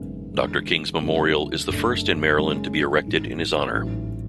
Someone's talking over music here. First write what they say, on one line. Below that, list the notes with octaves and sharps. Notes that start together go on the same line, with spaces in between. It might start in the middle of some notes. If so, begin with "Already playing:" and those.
Doctor King's memorial is the first in Maryland to be erected in his honor.
Already playing: G#1 F#2 C#3 G#3 B3
E2 D3 G#3
D2 C#3 F#3 A3
F#1 F#2 D3 A3 D4
F#2 C#3 G#3 C#4
A1 G#2 E3 G#3
A1 G#2 F#3